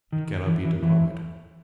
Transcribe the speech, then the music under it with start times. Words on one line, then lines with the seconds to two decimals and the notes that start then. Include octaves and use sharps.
'It cannot be denied.'
0.12 D#3
0.46 E3
0.65 E3
0.82 E3